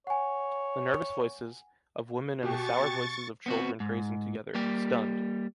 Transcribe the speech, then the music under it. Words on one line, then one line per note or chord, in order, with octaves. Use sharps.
The nervous voices, of women and the sour voice of children praising together, stunned.
C#5 F#5 G#5
B2 G4 C#6 A6
B3 C4 F#4
G#2
G3 A#3 G4